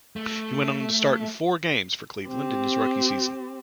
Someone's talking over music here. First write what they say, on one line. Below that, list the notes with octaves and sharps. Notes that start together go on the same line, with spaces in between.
He went on to start in four games for Cleveland in his rookie season.
A3
C4 G4